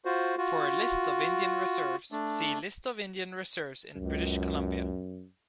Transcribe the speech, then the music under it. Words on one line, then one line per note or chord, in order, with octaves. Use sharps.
For a list of Indian Reserves, see List of Indian reserves in British Columbia.
F4 F#4 C5
F4 F#4
A3 D4
C#2 F#2